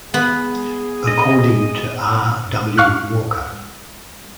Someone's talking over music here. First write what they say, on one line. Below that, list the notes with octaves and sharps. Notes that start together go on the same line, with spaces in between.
According to R. W. Walker.
B3 G#4
D#5
F5 C#6 F6 F#6